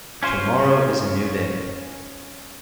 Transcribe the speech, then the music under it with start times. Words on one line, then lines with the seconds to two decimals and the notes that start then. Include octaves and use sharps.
Tomorrow is a new day.
0.23 C#4 F4 C5